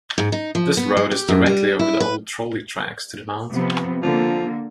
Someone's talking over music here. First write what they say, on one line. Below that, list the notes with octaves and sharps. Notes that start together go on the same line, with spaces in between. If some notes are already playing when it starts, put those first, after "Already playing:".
This road is directly over the old trolley tracks to the mountain.
G#2
D#4
F3
B3
G#3
G4
F#2
G3
E4
B4
C3 F3 B3
D3 F3 A#3